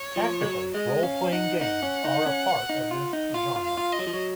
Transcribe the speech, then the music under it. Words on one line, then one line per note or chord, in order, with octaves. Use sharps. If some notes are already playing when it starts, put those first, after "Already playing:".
Tactical role-playing games are a part of this genre.
Already playing: C#5
F3
G#3
F#3
G#3 D#5
C#4 F5
D#4 F#5
D#4 F#5
C#4
D#4
C#4
D#4
F4
D#4
F4 F5
F4
F5
F4
D#5
F#3
F3
F#3